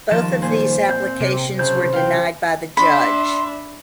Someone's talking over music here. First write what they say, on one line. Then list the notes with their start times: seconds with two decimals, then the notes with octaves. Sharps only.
Both of these applications were denied by the judge.
0.11 D#3 F3 G3 A5
0.42 A#2 C5 G#5
0.89 C4 G6
1.21 C3
1.59 C#3 F#3 C5 A5 G6
1.93 F#3 F4 F5 G5
2.77 D4 E5 B5 C6